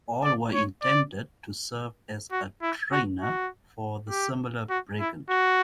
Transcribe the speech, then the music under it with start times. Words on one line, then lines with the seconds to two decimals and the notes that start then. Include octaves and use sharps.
All were intended to serve as a trainer for the similar Brigand.
0.24 D5
0.54 C#5
0.83 D5
2.32 F#4
2.62 E4
2.92 F#4
3.22 F#4
4.10 G4
4.70 F#4
5.00 E4
5.29 F#4